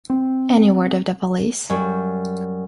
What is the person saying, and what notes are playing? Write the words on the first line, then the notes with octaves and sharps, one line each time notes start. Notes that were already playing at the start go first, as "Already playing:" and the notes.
Any word of the police?
C4
F#2 G3